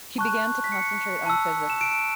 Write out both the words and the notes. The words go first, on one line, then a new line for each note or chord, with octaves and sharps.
He began to concentrate on physics.
A5 C#6 F#6
B6
C#7
A5 E6
E7
D7